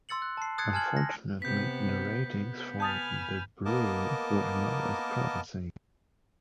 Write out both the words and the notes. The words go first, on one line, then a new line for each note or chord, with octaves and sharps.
Unfortunately, the ratings for "The Brew" were not as promising.
C6 E6 A6 C#7 F#7
F#6
A5 C7
D#6 F#6 G#6 A6 C7 C#7
G#5 A5 F6 G#6 F#7
A#6
C3 B3 G6 B6
B3
G#5 A5 B5 D#6 F6 G6 A6
A#3 B3 A#4 D#5 A5 D6